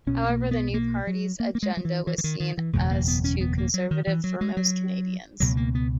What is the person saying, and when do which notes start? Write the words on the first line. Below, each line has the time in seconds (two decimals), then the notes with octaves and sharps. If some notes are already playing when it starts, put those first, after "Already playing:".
However, the new party's agenda was seen as too conservative for most Canadians.
0.07 B1 B2 C#4
0.30 A#3
0.51 B3
0.74 A#3
1.07 F#3
1.40 A#3
1.55 A#3
1.63 G#3
1.77 F#3
1.85 E3
2.07 E3
2.18 E3
2.24 D#3
2.40 D#3
2.58 E3
2.73 F#1 E2 B2 G#3
2.91 A#3
3.08 B3
3.24 C#4
3.41 B3
3.58 A#3
3.74 F#3
3.91 D#3
4.07 E3
4.24 F#3
4.41 G#3
4.57 F#3
5.40 C#2 B2 F#3
5.57 A#3
5.75 B3